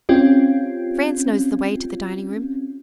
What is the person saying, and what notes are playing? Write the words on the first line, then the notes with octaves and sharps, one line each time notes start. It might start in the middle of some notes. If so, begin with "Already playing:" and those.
Franz knows the way to the dining-room.
C4 C#4 F4 G4